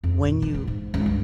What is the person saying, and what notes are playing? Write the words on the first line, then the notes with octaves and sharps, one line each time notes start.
when you
F2
A#2
E3
B3
G#2
C#2
G2